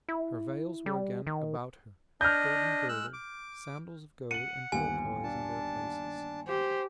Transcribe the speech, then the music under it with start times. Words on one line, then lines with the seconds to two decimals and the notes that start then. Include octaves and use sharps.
Her veils were again about her; golden girdle, sandals of gold and turquoise in their places.
0.09 E4
0.86 G3
1.27 D#3
2.21 D4 D#5 F6 G6
2.89 G#3 E6 F#6
3.13 D6
4.31 F#5 C#7 D#7 F#7
4.72 G1 D#2 G#5
5.23 D4 A5
6.47 G4 C5